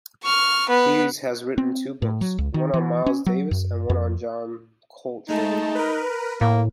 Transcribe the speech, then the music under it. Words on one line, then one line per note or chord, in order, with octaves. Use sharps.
He has written two books, one on Miles Davis and one on John Coltrane.
C#6 F6
B3 B4
C4
A2
F#3
C#2
D#3
E3
C#4
F#3
F#2
F2
G#3 A3 D#4 A5
A#4 B4
A2 A#3